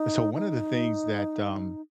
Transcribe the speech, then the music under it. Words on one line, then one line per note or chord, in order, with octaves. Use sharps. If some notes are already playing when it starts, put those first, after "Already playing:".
So, one of the things that, um,
Already playing: D#4
D#4